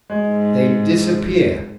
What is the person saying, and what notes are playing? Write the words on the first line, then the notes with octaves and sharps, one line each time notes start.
They disappear.
G#3
G#2